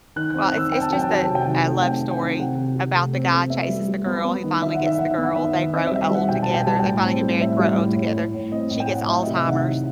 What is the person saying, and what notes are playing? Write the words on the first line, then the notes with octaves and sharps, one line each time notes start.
Well, it's it's just a a love story about the guy chases the girl, he finally gets the girl, they grow old together, they finally get married, grow old together. She gets Alzheimer's,
D#3 F#6
F#6
C4
F#6
D#3 E6
C4 G5
A5
F#3 G5
A5
F#3 G5
C3 A5
G5
D#3
A3
C4 G5
C4
G5
D#3
C3 F#5
C4
C3
A3
C4
A3
B3 E5
G3
G3
B3
B3
D#3
D#3 E5
F#5
D#3
E5
D#3 F#5
E5
B3
F#5
D#3 E5
D#3
C4 D#5
E5
G3
E5
G3 F#5
B2 G5
A5
B2
G5
G3 A5
A2 G5
C4
G3
A2 E5
G3
A2
A2
A2
A2
C4 D#5
A2
G5
A2 F#5
F#3 E5
D#5
C3
E5
D#3 F#5
F#3